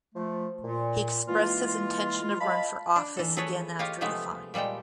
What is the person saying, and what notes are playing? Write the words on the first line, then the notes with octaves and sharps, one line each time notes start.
He expressed his intention to run for office again after the fine.
F3 A3
A#2
E3 G#3 A#3 F4
D#5 F5 A5 B5
D4
E3 A4
E4 G#4 A4 B4 C#5
F4 G4 C#5 D#5 F5
C3 F3 G#3 A3 B3
A#2 G3 G#3 A4 G5